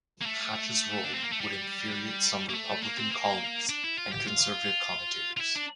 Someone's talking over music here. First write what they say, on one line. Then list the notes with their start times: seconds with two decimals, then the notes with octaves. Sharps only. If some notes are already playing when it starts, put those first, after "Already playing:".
Hatch's role would infuriate some Republican colleagues and conservative commentators.
0.21 A#3
0.26 A3
1.04 D4
1.14 C4
1.22 A#3
1.32 A3
1.41 G3
2.50 A#3
2.55 A3
2.83 A#3
2.97 C4
3.11 A#3
3.69 D4
3.84 E4
3.98 F4
4.12 G4
4.27 F4
5.37 F4
5.41 E4
5.56 D4